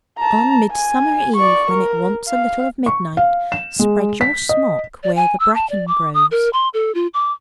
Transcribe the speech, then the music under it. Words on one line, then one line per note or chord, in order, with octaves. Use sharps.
'On Midsummer Eve, when it wants a little of midnight, spread your smock where the bracken grows.
A5 A#5
G#5
D5 C#6
A#4
F5
C#6
F5
E7
G#3
B6
D#5
D5
G#5
E6
A5
D5
D6
D#6
A#4
C6
A4
F4
D6